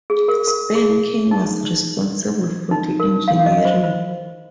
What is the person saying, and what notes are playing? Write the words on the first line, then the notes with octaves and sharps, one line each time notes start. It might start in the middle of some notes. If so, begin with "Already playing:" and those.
Spen King was responsible for the engineering.
G#4
A#4
A#4
G#4
D#4
D#4
A#4
F5
D#5
C5
C5